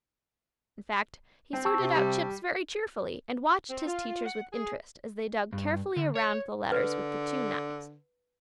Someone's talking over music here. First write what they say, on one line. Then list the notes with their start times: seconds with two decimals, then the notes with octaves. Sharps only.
In fact, he sorted out chips very cheerfully and watched his teachers with interest as they dug carefully around the letters with the two knives.
1.53 C4
1.65 A5 C#6 E6
1.80 C3
1.95 G3
3.70 C4
3.87 F4
4.26 F#5
4.53 G#4
5.53 G2
5.96 D3
6.15 C#5
6.72 D3 B4